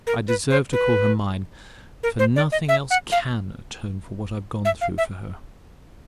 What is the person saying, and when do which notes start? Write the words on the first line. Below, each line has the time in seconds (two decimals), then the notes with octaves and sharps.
I deserve to call her mine; for nothing else CAN atone for what I've gone through for her.
0.07 A#4
0.28 B4
0.50 C5
0.73 B4
2.03 A#4
2.19 C5
2.36 D5
2.52 D#5
2.69 E5
2.91 F#5
3.12 F5
4.65 E5
4.81 F5
4.98 E5